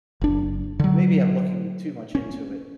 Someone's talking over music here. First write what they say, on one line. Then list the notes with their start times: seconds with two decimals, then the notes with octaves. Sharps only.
Maybe I'm looking too much into it.
0.21 F#1 D4
0.79 D3 F#3
2.15 C#4